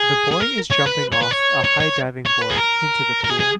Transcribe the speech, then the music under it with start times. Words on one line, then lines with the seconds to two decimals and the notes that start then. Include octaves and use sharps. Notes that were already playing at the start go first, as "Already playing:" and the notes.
The boy is jumping off a high diving board into the pool.
Already playing: G#4
0.31 G#4
0.40 A#4
0.71 C#5
0.87 B4
1.12 C#5
1.22 B4
1.31 C#5
1.64 C#5
1.80 C#5
2.26 C#5
2.42 B4
2.50 G#4
2.57 A#4
3.24 A#4
3.30 G#4
3.40 G#4